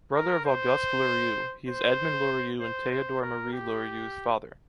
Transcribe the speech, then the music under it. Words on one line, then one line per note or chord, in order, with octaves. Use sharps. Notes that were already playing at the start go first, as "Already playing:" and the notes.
Brother of Auguste Lorieux, he is Edmond Lorieux and Théodore-Marie Lorieux’s father.
A#4
C5
C5
C5
C5
A#4
G4